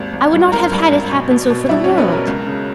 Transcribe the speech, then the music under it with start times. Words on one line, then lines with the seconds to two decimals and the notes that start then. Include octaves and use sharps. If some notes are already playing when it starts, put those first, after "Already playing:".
I would not have had it happen so for the world.
Already playing: G#1 D#2
0.13 G#1
0.33 G2
0.52 G#1 A#4 A#5
0.72 G2
0.92 G#1
1.11 B1
1.31 B2
1.50 B2
1.69 G3 E4 E5
1.84 C#4 C#5
1.88 B1
1.98 B3 B4
2.08 B1 A#4
2.27 C#2
2.47 C#3